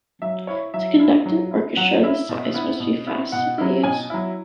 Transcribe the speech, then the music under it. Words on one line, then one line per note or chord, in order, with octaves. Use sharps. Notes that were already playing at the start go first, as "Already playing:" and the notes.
To conduct an orchestra this size must be fastidious.
F#3 E5
E4 C#5
F#3 E5
E4
F#3
E4
F#3 F#5
E4 E5
B2
B3 E4
B2
B3 E4
B2 F#5
F#3 E4
B2 G#5
F#3 E4